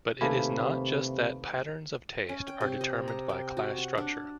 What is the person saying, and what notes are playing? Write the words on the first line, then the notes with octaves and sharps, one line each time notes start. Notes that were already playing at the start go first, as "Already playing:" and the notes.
But it is not just that patterns of taste are determined by class structure.
D#2 C3 A3 B4 F5 G#5 B5
C#4
G5
C3
D#5
A#5
G5
F#4
F#5
D4